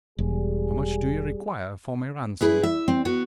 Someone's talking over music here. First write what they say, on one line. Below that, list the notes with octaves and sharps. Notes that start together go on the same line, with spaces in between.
"How much do you require for my ransom?"
E1 G3 G#4
E4 G#4 B4
E5
C4
B3 F#4